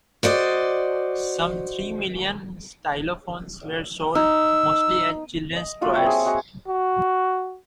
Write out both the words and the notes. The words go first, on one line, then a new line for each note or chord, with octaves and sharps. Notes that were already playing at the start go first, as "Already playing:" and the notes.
Some three million Stylophones were sold, mostly as children's toys.
F#4 C5 D5 D#5
D#4 E6
D#5
A#3 F4 F#4 E5
G3 C4 C#5 E5
G#4
F#4 D#5 G#5
F#4